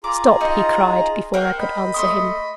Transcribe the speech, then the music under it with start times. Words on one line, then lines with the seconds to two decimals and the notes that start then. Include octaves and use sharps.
"Stop!" he cried, before I could answer him.
0.04 F4 G#4 A#5 D6
0.41 D#4 D#5
1.34 A#4 C5 F#5 G5
1.59 D#5 B5
1.94 A3 C6 D#6